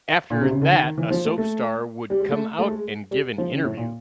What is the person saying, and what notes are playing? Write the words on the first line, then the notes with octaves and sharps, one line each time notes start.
After that a soap star would come out and give an interview.
A#2
C3
C#3
D3
D#3
D#3
E3
F3
A3
A3
G3
G#3
A3
A3
G#3
G3
F3
C#3
A2
A#2